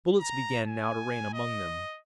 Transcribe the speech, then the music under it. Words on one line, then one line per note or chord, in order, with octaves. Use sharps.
Bullets began now to rain among them.
A#5
G#5
D#5